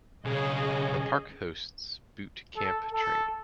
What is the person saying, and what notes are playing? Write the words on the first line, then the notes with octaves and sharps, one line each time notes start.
The park hosts boot camp training.
B1 C#3 C#4 G#4 D#5
A4
A4